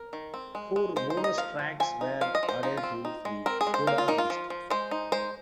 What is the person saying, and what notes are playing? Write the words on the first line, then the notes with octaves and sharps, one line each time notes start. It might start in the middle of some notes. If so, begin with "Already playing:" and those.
Four bonus tracks were added to the "Coda" disc.
Already playing: A#4
D#3
C4
G#3
G#3
G#3 C5
C5
D#4
D#5
F3 F5
F3
F3 G#5
D#4
F3 F5
D#5
F3
C5
F3 D#4
F4
C4
D#4
G#3
C4 A#4
G#4
G#3
C5
A#3 F5
F4
A#3 D#4
F4
F3
F3
G#3 C5
D#4
G#3 C5